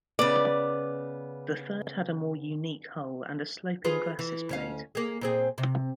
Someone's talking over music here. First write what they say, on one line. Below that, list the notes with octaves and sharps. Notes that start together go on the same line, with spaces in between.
The third had a more unique hull and a sloping glacis plate.
C#3 B3 D5
F4 G#4 B4
E3
D2 C#4 F5
A#3 G#4
A#2 C4 G#4
C3